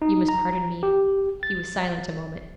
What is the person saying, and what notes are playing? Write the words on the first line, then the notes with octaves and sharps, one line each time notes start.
You must pardon me.' He was silent a moment.
D#4
A#5
G4
A6